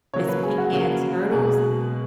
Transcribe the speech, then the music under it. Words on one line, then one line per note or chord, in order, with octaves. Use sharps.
it's Pecans Turtles.
C#3 F#3 A#3 C#5
B4
G#4
F#4
C#3 F#3 A#3
B2 G#3 G#4